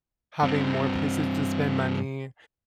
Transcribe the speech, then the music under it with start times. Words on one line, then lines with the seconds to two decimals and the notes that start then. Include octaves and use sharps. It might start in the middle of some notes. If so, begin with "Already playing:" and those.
having more places to spend money,
0.43 G2 C4